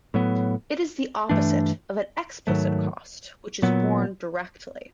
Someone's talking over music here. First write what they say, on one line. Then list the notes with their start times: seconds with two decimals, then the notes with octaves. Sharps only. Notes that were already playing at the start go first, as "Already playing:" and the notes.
It is the opposite of an explicit cost, which is borne directly.
0.14 A2 F#3 B3
1.29 G2 E3 A3 D4
2.47 G#2 D#3 F#3 A3
3.62 A#2 F#3 B3